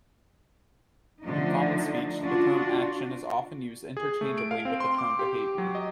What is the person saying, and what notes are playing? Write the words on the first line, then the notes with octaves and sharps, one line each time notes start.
In common speech, the term action is often used interchangeably with the term behavior.
D3 F3 A3 D4 D#4
D4 F4 F#4
G#4
A3
D7
F5
C4
C6
D6
G4
F#3
D#5